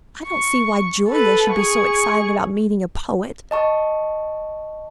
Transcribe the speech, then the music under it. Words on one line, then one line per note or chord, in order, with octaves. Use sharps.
I don't see why Julia should be so excited about meeting a poet.
C#6
A4 B4
G#4 C#6
D#5 A5 C#6